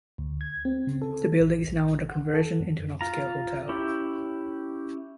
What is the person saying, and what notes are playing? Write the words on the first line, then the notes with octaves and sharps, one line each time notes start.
The building is now under conversion into an upscale hotel.
D2
G#6
C4
C#3
A4
A1
F#5
A4
F#2
F4 A#5
C#4 E4 G4